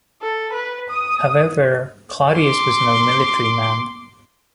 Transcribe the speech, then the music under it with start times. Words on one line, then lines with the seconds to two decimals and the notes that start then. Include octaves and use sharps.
However, Claudius was no military man.
0.22 A4
0.53 B4
0.90 D#6
2.39 C6 D6